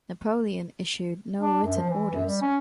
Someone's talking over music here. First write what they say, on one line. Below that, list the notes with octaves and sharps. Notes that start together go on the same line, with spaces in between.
Napoleon issued no written orders.
D4
F#2
F3
E3
F#2
G3
C#4